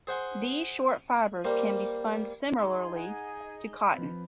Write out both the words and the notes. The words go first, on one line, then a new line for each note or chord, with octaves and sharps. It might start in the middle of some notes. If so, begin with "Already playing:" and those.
These short fibres can be spun similarly to cotton.
G#4 C5 F#5 G#5 C6
G3 A#3 C5
D#4 G#4 C6
F#5 G#5
D#5
F3 C4 B4